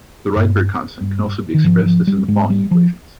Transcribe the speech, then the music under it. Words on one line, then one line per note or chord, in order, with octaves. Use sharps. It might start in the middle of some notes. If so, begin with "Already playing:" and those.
The Rydberg constant can also be expressed as in the following equations.
G2
G2
D#3
G#2 F3
F3
G3
G#2 G#3
G3
F3